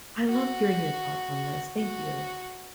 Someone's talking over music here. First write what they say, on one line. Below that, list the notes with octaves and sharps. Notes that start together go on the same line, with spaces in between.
I loved hearing your thoughts on this. Thank you.
F#4
F#4